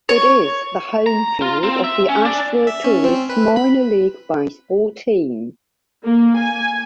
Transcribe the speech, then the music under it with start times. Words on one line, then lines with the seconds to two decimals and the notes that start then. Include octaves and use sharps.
It is the home field of the Asheville Tourists minor league baseball team.
0.09 C#5
1.06 A#5
1.42 F4
1.63 C4
1.84 E5
2.09 C#4
2.25 D4 D5
2.67 E5
2.84 C#4
3.05 C4
3.29 B4
3.56 B5
6.05 A#3
6.39 G#5